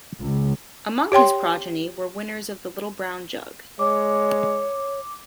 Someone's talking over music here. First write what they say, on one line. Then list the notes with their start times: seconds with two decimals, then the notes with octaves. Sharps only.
Among his progeny were winners of the Little Brown Jug.
0.20 C#2
1.12 G4 C#5 G5 C6
3.79 G#3 C#5 D6